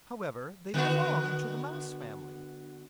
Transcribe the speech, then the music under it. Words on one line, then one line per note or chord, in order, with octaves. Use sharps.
However, they belong to the Mouse family.
D3 B3 F#4